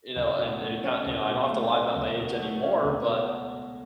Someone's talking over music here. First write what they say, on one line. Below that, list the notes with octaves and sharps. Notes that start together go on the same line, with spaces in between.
you know, and and it ki you know, I don't have to lie about my age anymore but,
C#2
B2
A3
C#4
C#2
B2
A3
C#4
C#2
B2
A3
C#4
C#2
B2